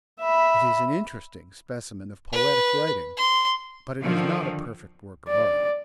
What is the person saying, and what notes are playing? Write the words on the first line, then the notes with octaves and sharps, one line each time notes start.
It is an interesting specimen of poetic writing but it is not a perfect work of art.
E5 B5
B4
C6
D3 D#3 F3
D5